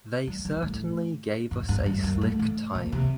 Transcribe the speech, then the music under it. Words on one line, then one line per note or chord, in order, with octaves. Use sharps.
They certainly gave us a slick time.
G3
G3
A2
G2
G2
F#2
F#2
A2
A2
A#2
C3